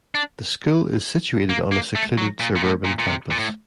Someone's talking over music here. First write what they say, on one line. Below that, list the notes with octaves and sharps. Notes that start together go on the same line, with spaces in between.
The school is situated on a secluded suburban campus.
D4
A#3
A#3
A3
F#3
A#2
A#2
A2
A#2
A#2
C3
A#2
A2